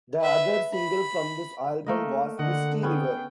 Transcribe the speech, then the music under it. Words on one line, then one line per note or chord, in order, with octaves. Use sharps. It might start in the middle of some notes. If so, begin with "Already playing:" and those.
The other single from this album was "Misty River".
B4 E5
B5
A3 A#3 D#5
D3 D#5 F#5
B3 C#4 G#4 G5